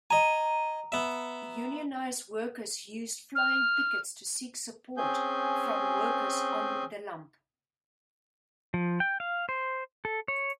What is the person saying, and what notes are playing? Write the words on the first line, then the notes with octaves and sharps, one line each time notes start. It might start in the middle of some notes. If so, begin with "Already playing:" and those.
Unionised workers used flying pickets to seek support from workers on the lump.
D#5 G#5 A#5
B3 E5
F6
C4 C#4 G#4 G#5 G6
F3
G5
F5
C5
A4
C#5